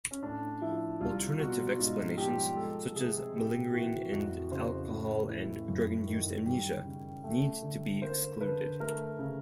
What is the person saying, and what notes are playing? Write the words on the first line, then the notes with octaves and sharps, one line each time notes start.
Alternative explanations, such as malingering and alcohol and drug-induced amnesia, need to be excluded.
C#4
A2 D4
F3 E4
C2 F4
B2 F#4
G#2 F4
F3 G4
G#3 A4
C3 G#4
A2 G4
E3 F#4
F2 F#4
C#3 C5
A2
E3
F#2
D#3
G3
C#3
A3
D3
A#3 C5
D3 B4
A3 A#4
C#3